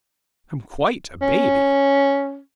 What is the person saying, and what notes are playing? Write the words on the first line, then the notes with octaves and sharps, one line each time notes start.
I'm quite a baby.
C#4